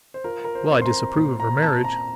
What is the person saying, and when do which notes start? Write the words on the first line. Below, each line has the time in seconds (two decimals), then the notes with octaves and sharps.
Well, I disapprove of her marriage.
0.14 C5
0.24 F4 A#4
0.44 A#4
0.55 C5
0.71 C4
0.82 C6
0.85 A#5
1.16 A#2
1.40 A#5
1.62 C4 A5
1.84 A#5